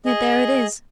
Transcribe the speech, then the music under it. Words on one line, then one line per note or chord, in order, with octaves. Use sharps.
Yet there it is.'
G#4 D#5